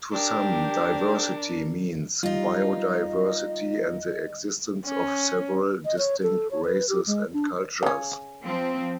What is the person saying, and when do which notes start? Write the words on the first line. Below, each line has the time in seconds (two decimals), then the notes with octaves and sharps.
To some, diversity means bio-diversity and the existence of several distinct races and cultures.
0.11 D4 G4 A#4
2.23 G3 D#4 F4 D#5
4.85 C#4
5.85 D#5
5.98 C#5
6.22 A4
6.51 C#5
6.64 B4
6.89 G4
7.07 G#3
7.33 D4
7.83 C#3 C#4
8.43 F3 C4